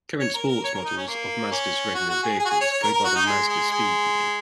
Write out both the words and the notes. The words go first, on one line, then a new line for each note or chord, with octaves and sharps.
Current sports models of Mazda's regular vehicles go by the Mazdaspeed name.
C#5
A#4
A#4
C#5
A#4
D#4
C#4
A#3
C#4
F#4
F#4
G#4
G#4
F#4
G#4
C#5
C#5
A#4
A#4
F#4
D#4
G#3
G#3
G#3